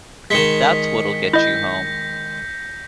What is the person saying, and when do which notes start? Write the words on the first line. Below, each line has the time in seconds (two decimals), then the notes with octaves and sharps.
That's what'll get you home.
0.30 D#3 G#3 B6 C#7
1.33 E4 D#5 G6 A#6